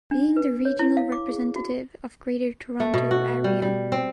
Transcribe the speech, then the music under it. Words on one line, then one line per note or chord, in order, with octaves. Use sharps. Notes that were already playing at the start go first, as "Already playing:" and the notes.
Being the regional representative of Greater Toronto Area.
D4
B4
C#5
E4
F5
D6
G#4
F#4
A3
B2
F#4
G3
G3
C4